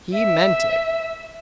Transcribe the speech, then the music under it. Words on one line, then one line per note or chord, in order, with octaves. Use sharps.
He meant it.
E5